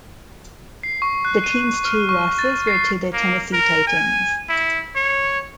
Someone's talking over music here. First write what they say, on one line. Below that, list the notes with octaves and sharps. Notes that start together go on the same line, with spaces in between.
The team's two losses were to the Tennessee Titans.
C7
C#6
F#6
D#7
F6
C#6
A6
C7
A#3
A#4
G#5
E4
C#5